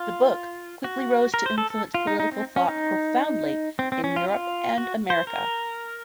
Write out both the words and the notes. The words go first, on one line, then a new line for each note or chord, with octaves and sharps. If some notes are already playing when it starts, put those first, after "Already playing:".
The book quickly rose to influence political thought profoundly in Europe and America.
Already playing: F4
F#4
A#4
C5
A4
A4
F4
D#4
D#4
C4
C#4
D#4
C4
C4
C#4
F4
F4
F#4
C5
A#4